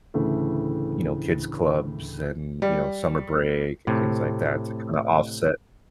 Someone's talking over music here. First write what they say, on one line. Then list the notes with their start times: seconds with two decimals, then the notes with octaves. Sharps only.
you know, kids' clubs and, you know, summer break and things like that to kinda offset
0.14 D2 A2 C#3 E3 A3
2.62 G3
3.87 A2 C3